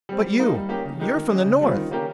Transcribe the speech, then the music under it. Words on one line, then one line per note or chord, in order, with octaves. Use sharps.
"But you--you're from the North."
G3 C4
G3
A#3 D#4
G3
A#3 C#4 G4
C#3
G#3 D#4 G4 A#4
D#3
G#3 C#4 G4
C#3
G3 C4 F4
D#3
A#3 C#4 G4 A#4